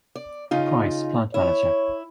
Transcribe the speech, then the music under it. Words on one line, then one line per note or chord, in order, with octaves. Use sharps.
Price, plant manager.
D5
C#3 D#4 F4
E4 C#5